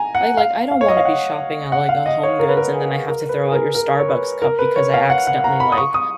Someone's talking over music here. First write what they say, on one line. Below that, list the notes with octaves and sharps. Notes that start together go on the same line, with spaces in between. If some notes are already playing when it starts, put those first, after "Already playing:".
I like I don't wanna be shopping at like, a HomeGoods and then I have to throw out your Starbucks cup because I accidentally, like
Already playing: G#5 A#5
F#5
F5
F5
C#5
D#5
F5
F#5
F#5
F5
D#5
C#5
A#4
B4
A#4
G#4
A#4
B4
G#4
A#4
A#4
C#5
B4
A#4
B4
C#5
F5
F#5
F#5
A#5
B5
D#6
C#6
D#6